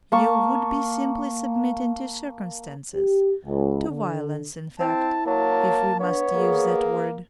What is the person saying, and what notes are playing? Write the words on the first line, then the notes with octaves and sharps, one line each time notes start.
You would be simply submitting to circumstances, to violence, in fact, if we must use that word.
A#3 A5 C#6
G4
C#2
D3
C4 E4 A5
F#3 A#3 A5
B3 D4 C#5
A#3 G#4